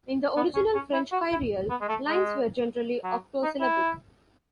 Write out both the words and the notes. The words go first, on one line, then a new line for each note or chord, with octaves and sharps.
In the original French kyrielle, lines were generally octosyllabic.
B3
C#4
C#4
E4
F#4
E4
B3
G#3
A3
G#3
F#3
D#4
E4